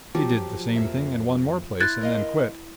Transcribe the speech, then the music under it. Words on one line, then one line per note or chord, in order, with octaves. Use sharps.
He did the same thing in one more place and then quit.
F3 F#3 G4
F2 A#3 E5
E4 C6 F#6 G#6 A6
A#4 D#5 F5